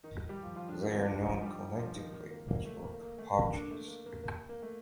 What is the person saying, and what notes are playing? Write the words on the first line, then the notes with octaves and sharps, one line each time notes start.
They are known collectively as rock partridges.
D#3 D#4
G3 G4
F3 F4
F3 F4
D3 D4
D#3 D#4
C4
D3 D4
D3 D4
D#4
F3 F4
G3 G4
F3 F4
D#3 D#4
D#3 D#4
A#3
A#3
A3
A#3
A#3
A3
A#3
D3 D4
A3
A#3
A#3
A#3
A#3
A3